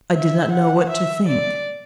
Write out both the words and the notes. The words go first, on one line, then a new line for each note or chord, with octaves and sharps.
I did not know what to think.
E5
F#5
E5
D5